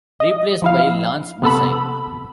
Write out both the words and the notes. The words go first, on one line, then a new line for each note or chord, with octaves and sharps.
Replaced by Lance missile.
D#5
F3 E4 F5
C3 B3 A4 B5